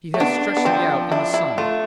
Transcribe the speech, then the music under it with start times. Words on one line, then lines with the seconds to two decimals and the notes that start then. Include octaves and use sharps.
He has stretched me out in the sun.
0.14 A3
0.20 B3 D4
0.57 B3
0.65 F3 C4
1.12 D4 E4
1.34 E4
1.58 A3 F4